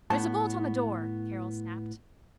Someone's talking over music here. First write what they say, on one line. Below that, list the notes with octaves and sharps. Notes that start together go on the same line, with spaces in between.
"There's a bolt on the door!" Carroll snapped.
A2 B3 A5